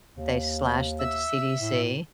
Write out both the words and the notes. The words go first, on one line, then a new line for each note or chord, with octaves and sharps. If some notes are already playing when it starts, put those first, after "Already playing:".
they slashed the CDC,
D#2
E5 E6
A2